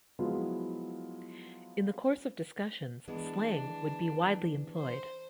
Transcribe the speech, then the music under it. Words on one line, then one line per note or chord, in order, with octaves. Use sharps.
In the course of discussions, slang would be widely employed.
F3 F#3 G#3 B3 E4 F4
E3 G#3 B3 D4
C5